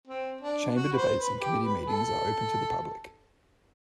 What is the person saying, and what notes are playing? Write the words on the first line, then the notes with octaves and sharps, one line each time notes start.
Chamber debates and committee meetings are open to the public.
C4
D4
F#4
B4
C5
B4
G4
B4
A4